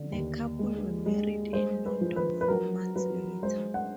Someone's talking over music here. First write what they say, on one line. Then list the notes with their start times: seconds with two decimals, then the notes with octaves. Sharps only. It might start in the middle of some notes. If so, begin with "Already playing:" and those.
The couple were married in London four months later.
Already playing: D3
0.12 D#2
0.59 G#3
1.06 G#3
1.53 G#3 C5
1.85 B4
2.01 F3
2.16 B4
2.41 B4
2.48 F#3 A#4
2.96 F#3 B4
3.43 G#3 C5
3.74 F#5